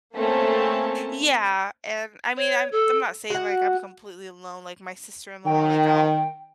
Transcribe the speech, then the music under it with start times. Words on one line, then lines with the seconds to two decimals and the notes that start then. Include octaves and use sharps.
Yeah, and, I mean, I'm I'm not saying, like, I'm completely alone, like, my sister-in-law, like, I'll
0.15 A3 A#3 C4 C#4 A5
2.37 C#5
2.72 A4
3.30 F#4 F#5
5.46 D#3 G5